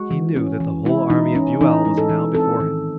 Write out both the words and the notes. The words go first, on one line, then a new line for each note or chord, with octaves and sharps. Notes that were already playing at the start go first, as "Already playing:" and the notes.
He knew that the whole army of Buell was now before him.
Already playing: G#3 F#4
E3
C#4
E3
G#3 E4
E3 D#4
C#4
E3 D#4
G#3
A4
E3
C4 A4
D#3